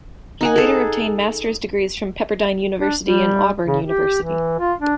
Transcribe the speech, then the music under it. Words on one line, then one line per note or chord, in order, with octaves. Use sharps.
He later obtained Master's degrees from Pepperdine University and Auburn University.
D#4 F#5 G#5
G#4 A4
D4
G3
C#3
G4
E3
F4
D4